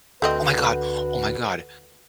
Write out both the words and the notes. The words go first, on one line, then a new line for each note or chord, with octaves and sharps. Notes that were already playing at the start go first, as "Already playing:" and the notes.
Oh my god. Oh my god.
D2 A3 C4 F#4 A4 B4 D#5 F#5